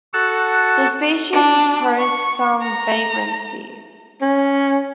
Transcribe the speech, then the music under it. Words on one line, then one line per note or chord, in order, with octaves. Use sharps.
The species is prone to some vagrancy.
F#4 A4 F#5 A5
D4
C#6
A#5
C#4